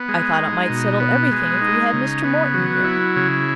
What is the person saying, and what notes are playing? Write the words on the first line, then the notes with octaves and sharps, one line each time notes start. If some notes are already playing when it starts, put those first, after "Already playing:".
"I thought it might settle everything if we had Mr. Morton here."
Already playing: B3
G#3
D#4
B2
B3
G#3
D#4
C#3
B3
F#3
E4
C#3